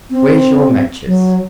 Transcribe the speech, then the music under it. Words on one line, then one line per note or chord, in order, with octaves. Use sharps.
Where's your matches?
C4
F#3